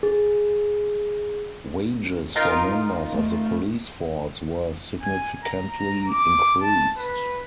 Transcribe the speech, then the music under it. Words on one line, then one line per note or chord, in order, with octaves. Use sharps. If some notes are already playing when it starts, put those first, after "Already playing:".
Wages for members of the police force were significantly increased.
G#4
D#4 F4 A#4
A3
G#5
A#5
A#5
D6
A5
B4